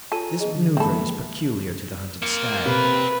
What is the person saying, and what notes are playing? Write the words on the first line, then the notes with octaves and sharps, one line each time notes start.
This manoeuvre is peculiar to the hunted stag.
F4 A4 C#5 G#5 A#5 D#7
G#4 D#5
D3 E3 F#3
F3 G#3 A#3 C4 A4 E5 B5
A#3 C4 F4 C#7
C3 B4